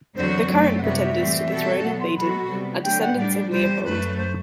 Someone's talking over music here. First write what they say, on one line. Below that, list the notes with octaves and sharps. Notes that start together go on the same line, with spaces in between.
The current pretenders to the throne of Baden are descendants of Leopold.
E2 D3 F#3 C4 F#4 C5
F#2 F#3 A3 C4 D5
F#5
C3 G3 B3 F#4 E5
A2 E3 G3 C4
B2 G3 C4 F#4 A4
B2 F#3 B3 F#5
C6
B2 F#3 B3 F#4 A4 B5
C3 G3 B3
D3 F#3 A3 G5
F#5
A2 G3 D4 D5
E2 C3 G3 C5
F#2 F#3 A3 B4
C5